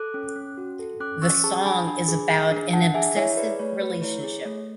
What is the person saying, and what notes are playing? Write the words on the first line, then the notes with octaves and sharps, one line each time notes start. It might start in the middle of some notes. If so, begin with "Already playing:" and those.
The song is about an obsessive relationship.
Already playing: A4 D6 F#6
C#4
C#4
F#4
A4
C#4 D6 F#6
C#4 C#6 E6
G#4 A5 C#6
A5
D4 G#5 B5
D4
G#4
G#4
D4
D4 F#5 A5
G#4 E5 G#5
E4 C#5 E5
G#4 B4 D5
A3 C#5
A3 B4
E4 C#5
G#4
A3